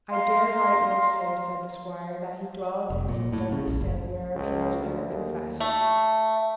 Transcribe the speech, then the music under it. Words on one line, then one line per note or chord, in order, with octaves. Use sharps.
I dare right well say, said the squire, that he dwelleth in some deadly sin whereof he was never confessed.
F5 A#5 C6
F1
A#2
A2
C#3
A#1
F#1
C#2
D2
D#2
A3